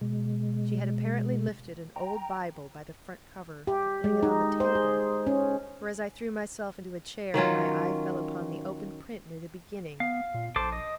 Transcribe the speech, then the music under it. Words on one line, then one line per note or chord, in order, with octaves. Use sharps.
She had apparently lifted an old Bible by the front cover to fling it on the table, for as I threw myself into a chair my eye fell upon the open print near the beginning.
B2 G#3
G5 A#5
G4
G#3
D#4
C5
G#4
C#4
D#3 F#3 C#4 F4
B3 F5
A#2
A#1 A4 C5 D6
D#5